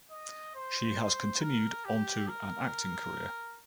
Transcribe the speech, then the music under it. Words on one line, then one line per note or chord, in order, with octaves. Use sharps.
She has continued on to an acting career.
D#5
C5
C5
A#4
G4
A#4